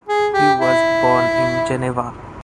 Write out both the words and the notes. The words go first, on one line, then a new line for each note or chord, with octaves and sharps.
He was born in Geneva.
G#4
G4
E4